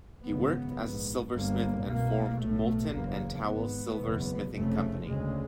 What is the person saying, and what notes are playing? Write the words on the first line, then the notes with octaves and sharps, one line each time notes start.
He worked as a silversmith and formed "Moulton and Towle Silversmithing Company".
G#1 F#2 C#3 B3
A#1 G#2
G1 G2 A#3
C2 B2 A#3
B1 A2 A3
F#1 E2 C#3 A#3
G#1 G#2 B3
F#1 E2 B2
F1 F2 C#3 A3
D2 C#3 G#3